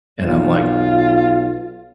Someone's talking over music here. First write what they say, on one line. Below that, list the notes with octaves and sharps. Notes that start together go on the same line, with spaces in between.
And I'm like,
B1 F4